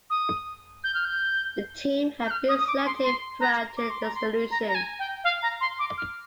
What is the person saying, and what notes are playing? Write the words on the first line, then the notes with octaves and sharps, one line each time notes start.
The team had been selected prior to the dissolution.
D#6
G6
F6
G6
G6
F6
D#6
D#6
D6
C6
C6
A#5
D6
C6
A#5
C6
A#5
A#5
G#5
G5
F5
A#5
C6
D6
F6